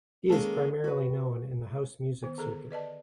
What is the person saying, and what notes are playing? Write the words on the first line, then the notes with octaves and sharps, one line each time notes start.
He is primarily known in the house music circuit.
D#3 G#3 A#3 C#4 A4
F#4 B4
D#3 B3
D3 G#4 A4 A#5
B4 D5 D#5 A5